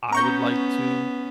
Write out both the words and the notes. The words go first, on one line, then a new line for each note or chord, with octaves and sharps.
I would like to,
B3 C#4 A#5 C#6 G6